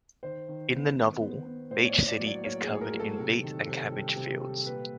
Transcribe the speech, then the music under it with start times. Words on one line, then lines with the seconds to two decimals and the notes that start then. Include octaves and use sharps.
In the novel, Beach City is covered in beet and cabbage fields.
0.23 D#3 C5
0.48 D#3
0.72 B3
0.96 B3
1.21 B3
1.45 B3
1.70 A2 C5
1.84 C#5
1.89 D5
1.95 A#3
2.08 D5
2.20 F#3
2.26 D5
2.44 A#3 C#5
2.62 G#4
2.69 A2
2.81 A#4
2.94 F#3
3.00 A4
3.18 C3
3.43 D#3
3.68 C3
3.92 G3
4.16 C3
4.41 G3
4.65 A#2 B4